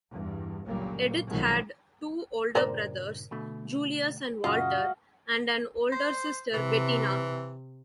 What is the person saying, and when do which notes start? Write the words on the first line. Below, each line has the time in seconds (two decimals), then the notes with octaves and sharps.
Edith had two older brothers, Julius and Walter, and an older sister, Bettina.
0.11 E2 G2
0.66 G1 C#2 A#2 F#3 G3 A#3
1.28 B1 B2 D#3 F3 F#3 G#3
2.55 G2 A#2 C#3 A#4 C5 D5
3.31 B2 D3 A3
4.44 F#2 A#2 C#3 F4 F#4 D#5 F5
5.92 C5
6.54 C3 E3